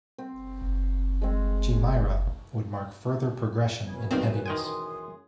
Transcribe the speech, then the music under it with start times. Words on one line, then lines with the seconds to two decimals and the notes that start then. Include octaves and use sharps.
"Chimaira" would mark further progression in heaviness.
0.18 C4
1.22 G#3 C4
3.88 F#2 E3 C#4 G#4 B5 G#6
4.11 B1 G2 D#3 C4 B4
4.46 D#3 G5 G#5 C6 D#6